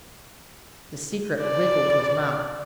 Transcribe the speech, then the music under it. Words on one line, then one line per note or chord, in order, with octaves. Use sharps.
The secret wriggled to his mouth.
D5